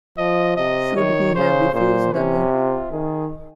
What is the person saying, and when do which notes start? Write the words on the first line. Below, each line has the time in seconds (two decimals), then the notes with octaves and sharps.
Should he have refused the note?
0.18 F3 D#5
0.57 C3 D#5
0.96 D#3 C#5
1.35 C#3 C5
1.74 A#2 C5
2.13 C3 C#4
2.52 F4
2.92 D#3 G#4